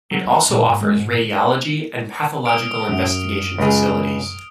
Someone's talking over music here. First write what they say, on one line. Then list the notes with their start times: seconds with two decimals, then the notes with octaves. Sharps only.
It also offers radiology and pathological investigation facilities.
0.11 F#3
0.25 C#2
0.49 A#2
0.67 G#2
0.81 G#3
0.96 G#2
2.46 D#6 F6 D7
2.89 F#2
3.58 C#2 G#4